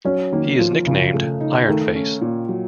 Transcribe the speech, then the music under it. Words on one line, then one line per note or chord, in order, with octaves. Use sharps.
He is nicknamed "Iron Face".
F#3 C#4
D#3 A#3
F3 F4
C#3 F3
A3
D#4
D#3 A3
C#4
A#2
F#3